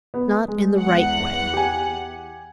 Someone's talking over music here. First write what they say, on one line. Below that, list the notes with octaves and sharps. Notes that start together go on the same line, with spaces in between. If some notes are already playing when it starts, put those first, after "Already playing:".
'Not in the right way.
B3
G#3
E2 F#5
G4 G#5